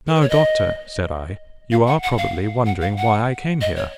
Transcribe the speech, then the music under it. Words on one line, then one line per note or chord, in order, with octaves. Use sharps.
"Now, Doctor," said I, "you are, probably, wondering why I came here?"
A#4
B4
C#5
D#5
F5
F#5
F#5
F5
F#5
F5
F#5
D#5
C#5